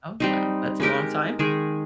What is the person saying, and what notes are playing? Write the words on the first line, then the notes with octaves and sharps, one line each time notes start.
Oh, wow, that's a long time.
G3 C4 D#4
G#3 D#4 G4 A#4
D#3 G#3 D#4 G#4